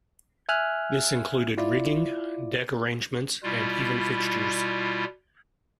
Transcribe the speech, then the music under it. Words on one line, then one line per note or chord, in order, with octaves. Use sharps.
This included rigging, deck arrangements, and even fixtures.
E5 G#5 F6 F#6
E4 F4 D5
B2 G3 E4 F4